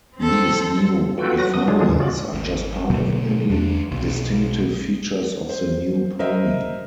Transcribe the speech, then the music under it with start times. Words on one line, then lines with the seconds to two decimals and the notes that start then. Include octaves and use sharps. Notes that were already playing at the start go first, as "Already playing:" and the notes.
These new refinements are just part of many distinctive features of the New Pony.
0.17 C4 A4
1.18 F4 F#4 A4 B4 G5
1.38 F#3 F#4 B4 A#6
1.53 B3 D#6
1.68 D3 F#3 G#3 D4 F4 G#4
1.88 D#2 A2 E3
2.00 C#4 F4 F#4 D5
2.33 G#1
2.90 B2 D3 F#3 A3
3.50 E2 D4
3.91 B1
5.49 C5
6.19 A#4 C5 D#5 E5